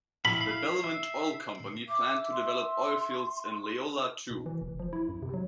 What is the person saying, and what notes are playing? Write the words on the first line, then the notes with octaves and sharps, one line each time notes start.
The Belmont Oil Company planned to develop oil fields in Leola, too.
E4 F5 B5
C7
E5
E5 D6
C6
B2
E3
F1
F3
E4
F#2
C3
F#3